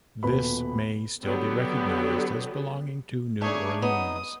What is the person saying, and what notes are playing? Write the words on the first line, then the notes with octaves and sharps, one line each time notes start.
This may still be recognized as belonging to New Orleans.
D#1 B2 B4 B5
D3 F#3 B3 G4
A3 A#3 D4 G#4 C#5
F#3 B3 D#4 D#6